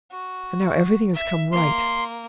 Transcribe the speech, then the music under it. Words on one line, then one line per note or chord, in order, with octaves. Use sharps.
And now everything has come right.
F#4
E5
A#3 C6